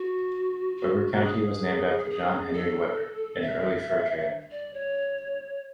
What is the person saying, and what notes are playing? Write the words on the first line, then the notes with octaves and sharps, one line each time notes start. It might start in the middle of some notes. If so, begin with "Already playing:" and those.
Weber County was named after John Henry Weber, an early fur trader.
Already playing: F#4
F#4
F#4
G#4
G#4
A4
E5
D5
C#5